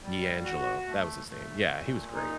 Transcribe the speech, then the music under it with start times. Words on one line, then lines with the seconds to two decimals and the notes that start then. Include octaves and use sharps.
D'Angelo, that was his name, yeah, he was great.
0.02 G3
0.44 F#4
0.86 A3
1.28 A3
1.71 A#2
2.14 D#4